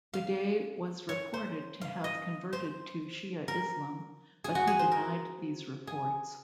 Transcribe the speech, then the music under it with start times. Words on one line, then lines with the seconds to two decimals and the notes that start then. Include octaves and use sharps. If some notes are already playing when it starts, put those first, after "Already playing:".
Uday was reported to have converted to Shia Islam, but he denied these reports.
0.14 F5
1.09 C#5
1.34 C5
1.81 F5
2.04 D#5
2.53 C5
3.48 A#4
4.44 G#4
4.55 F#4
4.67 G#4
4.79 C5
4.92 A#4
5.87 G#4